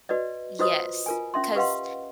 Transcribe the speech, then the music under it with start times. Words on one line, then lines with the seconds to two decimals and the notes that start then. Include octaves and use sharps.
Yes, 'cause
0.09 F#4 B4 D5 D#5
0.59 F4 F#4 B4 C5 D#5 D#6
1.06 F4 A#4 G#5
1.34 C#4 E5 C6
1.55 G4 B4 D#5 F5 F#5 C6